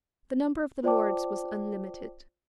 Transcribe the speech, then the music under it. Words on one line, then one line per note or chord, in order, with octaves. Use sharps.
The number of the Lords was unlimited.
F4 C5 D5 G5 A5 D6